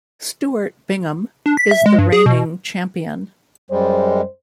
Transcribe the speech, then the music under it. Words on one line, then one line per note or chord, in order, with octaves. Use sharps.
Stuart Bingham is the reigning champion.
D4
B6
E5
G#3
G2
G#4
B2
F#2 G3 G#3 C5